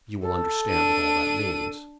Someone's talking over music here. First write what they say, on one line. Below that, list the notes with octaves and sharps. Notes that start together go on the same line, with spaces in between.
You will understand what all that means.
A4
D4 D#7